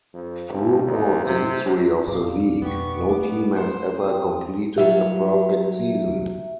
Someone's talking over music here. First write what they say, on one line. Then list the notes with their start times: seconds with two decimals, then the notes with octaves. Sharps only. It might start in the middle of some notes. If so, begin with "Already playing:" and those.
Throughout the history of the league, no team has ever completed a perfect season.
0.14 F2
0.49 G1
0.84 D#2
1.25 C3
1.64 F#2
2.08 F#2 A#2 D5 F5
2.62 F2 B2 B3 G4 C#6
3.11 A3 D6
3.55 C5
3.98 C4 D#6
4.78 F#3 G3 F4 E5